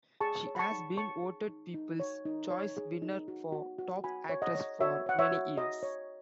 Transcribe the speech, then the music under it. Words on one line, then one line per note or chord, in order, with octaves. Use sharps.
She has been voted people's choice winner for top actress for many years.
G#4 A5 C#6
C#5
B5
A5 C#6
D#4
C#5 A5 C#6
G#4
D#4
D#4
C#5
D#4
C#5
G#4
D#4
F#4
F#4
F#4
F#4 G#5 B5
C#5
D#5 F#5
C#5
F#4 C#5 E5
C#5 F#5
C#5 E5
F#4
F#4 D#5
C#5